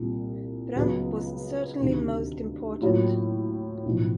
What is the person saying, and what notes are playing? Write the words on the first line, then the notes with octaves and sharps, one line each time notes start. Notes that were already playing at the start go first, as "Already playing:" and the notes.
Brandt was certainly most important.
Already playing: C2 A#2 G3
C#2 C#3 F#3 B3
D2 C3 D#3
A2 F#3 A#3 C#4 F4
B1 A2 F3